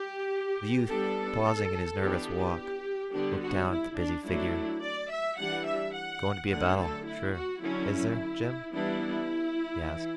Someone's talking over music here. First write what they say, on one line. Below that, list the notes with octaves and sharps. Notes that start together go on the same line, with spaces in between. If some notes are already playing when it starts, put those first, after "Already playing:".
The youth, pausing in his nervous walk, looked down at the busy figure. "Going to be a battle, sure, is there, Jim?" he asked.
Already playing: G4
G3 B3 D4 A4
E3 B3 D4 G4
D3 G3 B3 D4 G4
F#4
E4
D4
F#3 A3 D4 E4
D5
E5
E3 G3 D4 F#5
E5
F#5
D3 F#3 A3 F#5
A4
E4
F#4
D3 F#3 C#4 E4
E3 G3 B3 D4 E4
E3